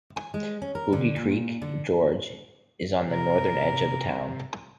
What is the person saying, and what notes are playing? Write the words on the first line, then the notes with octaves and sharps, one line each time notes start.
Boggy Creek Gorge is on the northern edge of the town.
G#5
G#3
C#4
A#4
D3
A#2
D3
C3 A#4